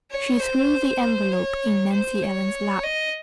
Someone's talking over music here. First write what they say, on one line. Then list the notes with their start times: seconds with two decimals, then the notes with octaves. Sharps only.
She threw the envelope in Nancy Ellen's lap.
0.10 C#5
0.40 C5
1.31 C#5
1.92 C5
2.23 C#5
2.83 D#5